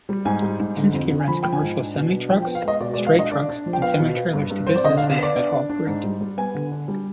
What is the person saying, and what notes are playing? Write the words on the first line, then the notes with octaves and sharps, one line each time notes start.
Penske rents commercial semi-trucks, straight trucks and semi-trailers to businesses that haul freight.
G3
G#2 G#5
G3
G#2
D3
F2
D3
G#5
F3 B5
F3 G5
G#5
G#2
D4
B2
D4
F3 G5
G5
B3
F5
G#3 D#5
B2 D5
D5
G#3
F5
D4 D#5
D4 D5
D4
F3
G5
B3 F5
B2
B3
G2
G2
C4 C5
D5
D3 D#5
F5
D4
F5
B3 D5
D4
D4
D4
G#2
G3
G3
B3 G#5
D3
D4
G3